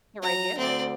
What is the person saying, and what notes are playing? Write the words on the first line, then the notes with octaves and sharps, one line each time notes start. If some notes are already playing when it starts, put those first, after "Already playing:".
The radius.
F#3 A#5
D2 C4 D5